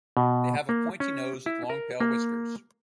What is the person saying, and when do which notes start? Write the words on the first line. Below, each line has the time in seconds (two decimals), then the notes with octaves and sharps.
They have a pointy nose with long pale whiskers.
0.17 B2
0.69 A#3
1.00 C#4
1.46 E4
1.70 A#4
2.00 A#3